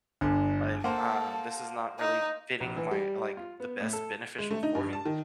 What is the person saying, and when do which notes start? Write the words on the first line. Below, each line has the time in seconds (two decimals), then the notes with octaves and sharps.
like, uh, "This is not really fitting my, like, the best beneficial for me,"
0.21 G1 D3
0.84 A#3 A4 C5 F#5
1.99 D#4
2.60 A#1
2.77 E3
2.91 G3
3.37 F4
3.60 B3
3.80 A2
3.93 A4
4.38 G#3
4.51 A3
4.63 D#4
4.75 G2
4.93 A5
5.05 D#3